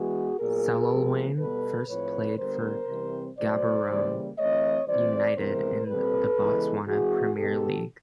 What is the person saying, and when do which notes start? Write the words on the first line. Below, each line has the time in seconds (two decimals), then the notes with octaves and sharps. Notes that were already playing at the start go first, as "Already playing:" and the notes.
Selolwane first played for Gaborone United in the Botswana Premier League.
Already playing: E3 G#3 B3 F#4 G#4
0.39 A#2 F#3 B3 G#4 A#4
0.89 C3 F3 G#3 B3
1.38 B2 G3 B3 A4 B4
1.88 A2 F3 A3 C4 B4 C#5
2.38 D3 G3 B3 A#4 C5
2.88 C3 E3 G3 C4
3.38 B2 F#3 A3 C5 D5
3.88 C#3 E3 G3 A#3
4.38 E3 A3 C4 C#5 D#5
4.87 E3 G3 C4 C5 D5
5.37 C3 E3 G#3 B3 A#4 C5
5.87 A#2 G3 C4 A4 B4
6.37 C#3 E3 G#3 B3
6.87 E3 G#3 C4 F#4 G#4
7.36 B2 G#3 B3 G4 A4